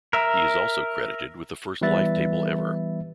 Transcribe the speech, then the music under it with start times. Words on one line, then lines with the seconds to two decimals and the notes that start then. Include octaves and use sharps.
He is also credited with the first life table ever.
0.13 A#4 E5
1.81 E3 G3 B3 B4 E5 A6